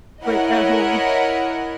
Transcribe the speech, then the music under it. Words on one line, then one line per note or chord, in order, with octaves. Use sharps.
Like, at home.
E4 A#4 C#5 D#5 F#5